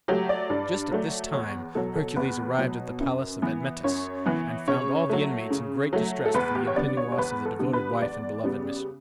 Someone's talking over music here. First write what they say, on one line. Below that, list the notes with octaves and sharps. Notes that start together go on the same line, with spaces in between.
Just at this time Hercules arrived at the palace of Admetus, and found all the inmates in great distress for the impending loss of the devoted wife and beloved mistress.
F#3 A3 G4
D5
G2
F#3 A3
E2 C#5
B2 F#3 A4
A4
E2 B4
B2 F#3
F#2
E3 B3
F#2 C#5
E3 B3
C#3 C#5
F#3 A3
C#3
F#3 A3
A4
E2 B4
G4
C#5
D3 G3 B3 D5
C#5
C#5
E2 B4
A4
D3 G3 B3
B4
E2 D5
C#3 G3 B3